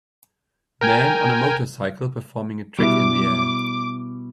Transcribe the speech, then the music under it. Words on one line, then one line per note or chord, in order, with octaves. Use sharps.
Man on a motorcycle performing a trick in the air.
A#4 G5 G#5
B2 G3 E4 D6